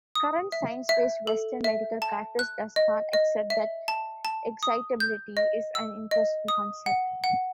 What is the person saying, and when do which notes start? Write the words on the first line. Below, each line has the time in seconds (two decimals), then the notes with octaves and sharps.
Current science-based Western medical practice does not accept that excitability is an interesting concept.
0.15 D#6
0.52 E5
0.89 E5
1.27 A4
1.64 E5
2.02 A5
2.39 F#6
2.76 D#5
3.13 D#5
3.50 E5
3.88 A5
4.25 A5
4.63 D#6
5.00 G6
5.37 D#5
5.75 E6
6.11 D#5
6.48 D#6
6.86 F#5
7.24 F#5